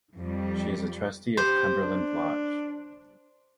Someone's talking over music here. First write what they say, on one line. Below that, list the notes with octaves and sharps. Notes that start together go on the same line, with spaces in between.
She is a trustee of Cumberland Lodge.
F2 G3
G4 C5
D4